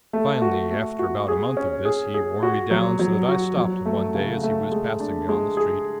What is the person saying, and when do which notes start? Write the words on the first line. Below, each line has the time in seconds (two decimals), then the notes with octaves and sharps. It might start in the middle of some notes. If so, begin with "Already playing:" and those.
Finally, after about a month of this, he wore me down so that I stopped him one day as he was passing me on the street.
0.13 A3
0.42 F#4
0.71 A3
0.99 F#4
1.28 G#4
1.57 C#4
1.85 G#4
2.14 G#4
2.43 F#4
2.71 F#3
2.99 F#3
3.28 F#4
3.57 F#3
3.86 A3
4.15 C#3
4.43 A3
4.72 G#3
5.00 D4
5.29 G#3
5.57 G#4